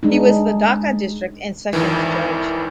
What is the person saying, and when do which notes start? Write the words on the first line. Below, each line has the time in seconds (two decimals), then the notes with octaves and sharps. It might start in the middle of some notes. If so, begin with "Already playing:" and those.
He was the Dhaka District and Sessions Judge.
0.03 G#3 D4 D#4
1.73 G#1 F2 D#3 E3